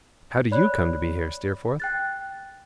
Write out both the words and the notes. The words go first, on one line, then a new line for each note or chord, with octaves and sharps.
How do YOU come to be here, Steerforth?'
C#5 D5 B5 F#6
G5 F#6 A6